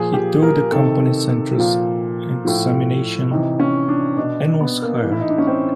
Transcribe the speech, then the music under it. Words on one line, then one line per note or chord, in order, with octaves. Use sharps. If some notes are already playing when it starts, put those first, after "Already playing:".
He took the company's entrance examination, and was hired.
Already playing: A#2 F3 G#4
G4
A#4
C3 D#3 A4
A#2 F3
A2 F3
C3 E3 D#4
C#4
D4
B2 D4
B3
A#3
A2 E3
E4
D#4
D4
C#4
C4